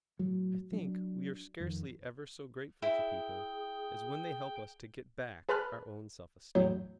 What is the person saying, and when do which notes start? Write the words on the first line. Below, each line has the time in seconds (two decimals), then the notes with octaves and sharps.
I think we are scarcely ever so grateful to people as when they help us to get back our own self-esteem.
0.19 A2 F#3
0.72 F#3 D4
1.60 F2 D#3
2.82 E4 G#4 G5
5.49 G#4 B4 A5 B5 F6 F#6
6.55 E2 A2 F#3 G6